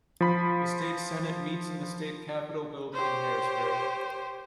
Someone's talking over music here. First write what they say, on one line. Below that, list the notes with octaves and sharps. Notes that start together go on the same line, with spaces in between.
The State Senate meets in the State Capitol building in Harrisburg.
F3 B5 B6
G4 C5 C#5